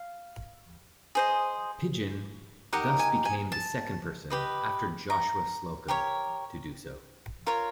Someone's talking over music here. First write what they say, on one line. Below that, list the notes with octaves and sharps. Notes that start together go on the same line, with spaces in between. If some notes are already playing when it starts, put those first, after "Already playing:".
Pidgeon thus became the second person, after Joshua Slocum, to do so.
Already playing: F5
G#4 C5 D#5
D#4 G4 A#4 D#5 F#5
G#5
G#5
A5
G4 B4 D#5
A#5
G4 A#4 C#5
F4 A#4 C#5